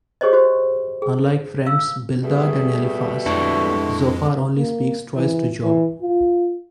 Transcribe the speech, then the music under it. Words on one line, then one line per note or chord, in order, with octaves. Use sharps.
Unlike friends Bildad and Eliphaz, Zophar only speaks twice to Job.
G4 G#4 C5 C#5 D#5
F#4 G4 C5
G#4
F5 E6
B2 G3 A3 G#4
F2 G#3 D4 E4 A4 C#6
A#3
E3
E3
F4